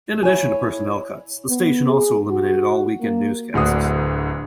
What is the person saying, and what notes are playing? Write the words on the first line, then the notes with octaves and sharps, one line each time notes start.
In addition to personnel cuts, the station also eliminated all weekend newscasts.
E4 C#5 G#5
B3
G#4
F#4
A#3
D1 D2 D3 F#4 D#6